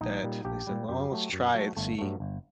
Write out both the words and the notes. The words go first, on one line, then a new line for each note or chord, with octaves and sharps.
that they said, "Well, let's try and see
A#1 D#4
A#2 G3
A#1 G4
A#2 G3
F#2 G4
F#3 A3
F#2
F#3 A3
G1 A3
G2 F#3 A3
G1